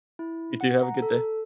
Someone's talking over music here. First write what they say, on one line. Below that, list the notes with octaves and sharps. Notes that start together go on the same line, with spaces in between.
You too, have a good day.
E4
F#5
A#5
A4